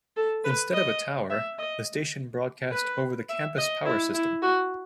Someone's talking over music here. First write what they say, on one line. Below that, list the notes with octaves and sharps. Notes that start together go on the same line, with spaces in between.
Instead of a tower, the station broadcast over the campus power system.
A4
B4
D#5
E5
D#5
B4
E5
D#5
E4
E4
F#4